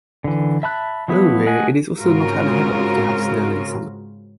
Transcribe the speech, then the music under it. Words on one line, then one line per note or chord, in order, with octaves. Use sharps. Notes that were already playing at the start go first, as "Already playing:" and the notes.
Though rare, it is also not unheard of to have snow in the summer.
D3 E3
E5 A5 B5 F#6
F3 F#3 B3 E4
A3 D#5 F#5 G#5
G#2 C#3 C4 F4 F#4 A#4